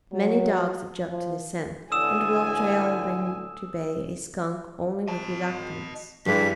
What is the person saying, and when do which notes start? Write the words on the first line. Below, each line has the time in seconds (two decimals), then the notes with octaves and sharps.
Many dogs object to the scent and will trail and bring to bay a skunk only with reluctance.
0.13 F#3
1.10 F3
1.92 A1 A2 D3 G#5 D#6 E6 E7
5.08 D#5 A5
6.26 G2 F3 E4 G4 G#4 B6